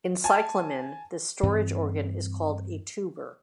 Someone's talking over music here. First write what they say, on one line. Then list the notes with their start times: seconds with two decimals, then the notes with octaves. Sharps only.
In cyclamen this storage organ is called a tuber.
0.24 G#5 A5
1.43 G2 E3 C4